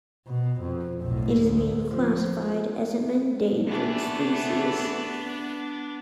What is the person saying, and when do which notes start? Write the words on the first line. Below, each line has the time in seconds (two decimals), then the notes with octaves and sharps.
It has been classified as an endangered species.
0.27 B2
0.61 F2
1.02 B1 A2
1.41 D2
1.92 F3
3.67 E2 E3 A3 B3 D4